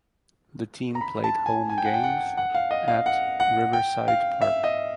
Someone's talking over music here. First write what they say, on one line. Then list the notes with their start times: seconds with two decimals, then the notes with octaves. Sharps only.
The team played home games at Riverside Park.
0.95 A#5
1.01 B5
1.24 A5
1.46 G#5
1.69 G#5
1.78 G5
1.85 F#5
1.94 G5
2.03 F#5
2.37 F#5
2.55 F5
2.71 D#5
2.88 F5
3.06 F#5
3.40 F#5
3.73 G5
4.08 F5
4.41 E5
4.64 D#5